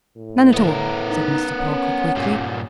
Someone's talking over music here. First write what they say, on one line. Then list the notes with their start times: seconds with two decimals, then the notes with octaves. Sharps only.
"None at all," said Mr. Parker, quickly.
0.17 A2
0.54 D3 B3 A#4
1.08 D#4
1.58 C#4 F#5
2.16 G2 A#2